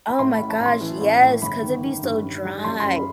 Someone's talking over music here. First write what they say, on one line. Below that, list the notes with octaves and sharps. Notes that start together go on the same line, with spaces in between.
Oh my gosh, yes, 'cause it be so dry.
B5
A2 C6
B5
A1
A5
A1
C6
E3
A1
A2
G1 B5
D#3
D#3
G2
G2
G3
F#2 C6
C6
F#2
B5